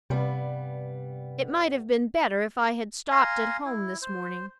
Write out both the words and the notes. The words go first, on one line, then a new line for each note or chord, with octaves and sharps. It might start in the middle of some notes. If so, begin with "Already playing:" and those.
It might have been better if I had stopped at home this morning.
G2 C3 G3 B3
F5 G#5 A#5 C6
E4
C5